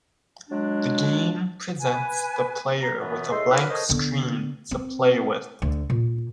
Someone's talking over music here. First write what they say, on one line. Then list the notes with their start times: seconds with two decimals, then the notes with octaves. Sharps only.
The game presents the player with a blank screen to play with.
0.50 F#3 G#3 D4
1.79 B4 G#5
2.80 A#5
2.99 F#2 B2 E3 A3 B3
3.31 A2 G#4 D#5 E5 C6
3.50 F#3 D#4 A#4 B4
3.69 A4 A#4 C5 C#5 D#5
3.89 D3 B3
4.71 C4
5.62 D2
5.90 A#2